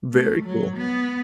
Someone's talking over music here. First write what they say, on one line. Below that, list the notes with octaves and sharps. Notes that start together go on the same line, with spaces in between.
Very cool.
A3
F#3
B3